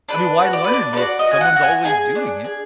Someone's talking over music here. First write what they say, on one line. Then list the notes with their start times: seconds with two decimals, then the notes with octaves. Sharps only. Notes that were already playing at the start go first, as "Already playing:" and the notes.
I mean, why learn if someone's always doing it?
0.09 D4 B4
0.39 F#4
0.53 D5
0.64 D4 B4
0.74 D5
0.93 B4
0.97 F#4 D5
1.19 D#5
1.27 F#4 G#5
1.41 F#5
1.56 F#4
1.63 G#5
1.85 G#4 G#5
2.15 D4
2.44 G#4